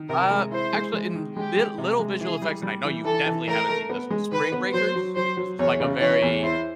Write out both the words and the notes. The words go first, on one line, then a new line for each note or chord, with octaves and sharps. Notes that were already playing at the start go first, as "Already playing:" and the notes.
Uh, actually, in li little visual effects, and I know you definitely haven't seen this one Spring Breakers? This was like a very
Already playing: D#3
C3 A#4
G#3
E4 C5
G#3
G#3
D#3
G#3 G4
G#3
C3
G#3
E3 G#4
G3
G3
E3
E3 A4
E3
A3 A#4
A3
B3
G#3
D#3 B4
B3
F#3 C5
F#3
F#3 C5
F#3
E2 C#5
C#3
E3 C#5
E2
E4 C5